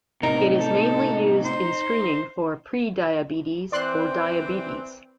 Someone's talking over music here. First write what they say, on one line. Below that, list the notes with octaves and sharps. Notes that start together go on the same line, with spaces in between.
It is mainly used in screening for prediabetes or diabetes.
A2 C3 D#4 A#4
A4
C5
E3 C4 D5 C6 F#6